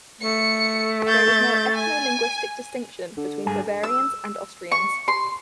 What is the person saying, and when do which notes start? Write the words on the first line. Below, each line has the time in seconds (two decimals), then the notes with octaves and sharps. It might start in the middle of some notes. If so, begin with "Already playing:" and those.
There is no ethno-linguistic distinction between Bavarians and Austrians.
0.21 A3 C#7
1.08 G6 A6
1.75 G#5
3.17 D3
3.46 G2 G#4
3.83 E6
4.72 C#6
5.08 C6